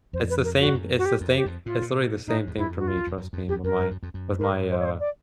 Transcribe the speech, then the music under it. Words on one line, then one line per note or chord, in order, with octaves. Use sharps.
it's the same it's the same it's literally the same thing for me, trust me, with my with my, uh,
F2 C5
B4
A#4
G2 F#4
F#2
F#4
G4
F2
G4
F2
A2 F4
A#2
G#2 D#4
E2
F2 E4
F#4
F4
E2
F2
F#2
F2
E2 G4
F2 A#4
G2
F#2
F2
F#2
G2
G#2 A#4
C5
C#5
C5
D5